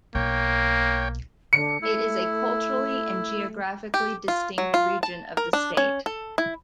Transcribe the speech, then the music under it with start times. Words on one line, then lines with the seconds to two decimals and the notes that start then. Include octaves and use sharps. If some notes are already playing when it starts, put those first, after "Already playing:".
It is a culturally and geographically distinct region of the state.
0.15 B1 A#3 C#5 G5
1.53 D3 C#7
1.82 A3 E4
3.94 G4
4.28 F4
4.58 F#3
4.74 F4
5.03 A5
5.37 A#4
5.53 D4
5.77 C#4
6.06 A4
6.38 E4